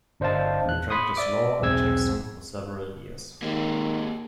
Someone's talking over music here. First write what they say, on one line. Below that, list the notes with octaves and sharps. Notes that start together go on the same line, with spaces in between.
He practiced law in Jackson for several years.
G1 D4 C5 D#5 F5 A5
E2 F#6
B5 C6 D#6
D5 E5 D6
B1 E2 C4 G#4 E6 G#6
D#3 A#3 G4 G#4